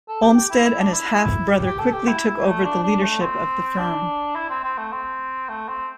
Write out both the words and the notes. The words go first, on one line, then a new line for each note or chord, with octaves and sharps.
Olmsted and his half brother quickly took over leadership of the firm.
A4
G4
G4
E4
E4
D4
E4
G4
G4
A4
G4
E4
E4
A3
D4
D4
A3
C4
D4
E4
C4
C4
A3
C4
A3
C4